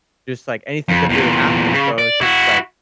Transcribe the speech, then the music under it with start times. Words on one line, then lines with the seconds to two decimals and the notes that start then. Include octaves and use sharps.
just, like, anything could really happen so it's just, like,
0.89 F2
1.09 E2 A#2
1.73 C#3
1.98 D5
2.21 E4 F#4